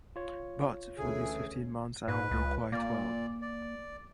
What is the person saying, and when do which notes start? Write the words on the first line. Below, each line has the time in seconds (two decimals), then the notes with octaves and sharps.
But for these fifteen months I have been quite well.
0.16 F4 C#5
0.98 D2 E3 C#4 G#4 A4
2.08 G#2 B4
2.31 C#2
2.72 A#2 A#3 D5
3.42 D5